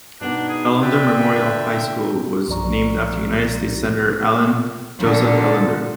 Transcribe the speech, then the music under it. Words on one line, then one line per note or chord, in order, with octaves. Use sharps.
Ellender Memorial High School was named after United States Senator Allen Joseph Ellender.
B2 B3 D4 D#4
G#4
B4 D5 E5 G5
D3
B1 G2 F3 D5 A#5 C#6
A#2 D3